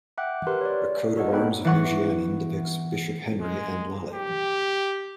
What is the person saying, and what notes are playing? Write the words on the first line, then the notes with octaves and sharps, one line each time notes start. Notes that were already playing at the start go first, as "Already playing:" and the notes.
The coat of arms of Nousiainen depicts Bishop Henry and Lalli.
E5 F#5 G5 D6 F#6
G4 A#4 B4 C6 F#6
C#5 D5
F#4 A4 A#4 C#5 D#5 F#5
B3 D#4 A4 G5 B5 F#6
E3 B3 F#5 C#6 A#6
G#3
G4